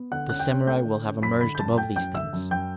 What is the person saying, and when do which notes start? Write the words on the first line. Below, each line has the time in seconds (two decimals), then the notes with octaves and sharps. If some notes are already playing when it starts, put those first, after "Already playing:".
The samurai will have emerged above these things.
Already playing: B3
0.12 D3 F#5 F#6
0.29 C#4 F#6
0.39 G5 G6
0.49 C#4
0.67 A3 G5 G6
0.85 D3
1.04 C#4
1.22 F#2 B5 B6
1.40 D3 B5 B6
1.55 G6
1.59 F#2 A5 A6
1.78 A3 G5 G6
1.96 F#2 G5 G6
2.15 D3 E5 E6
2.33 F#2
2.51 F#2 G5 G6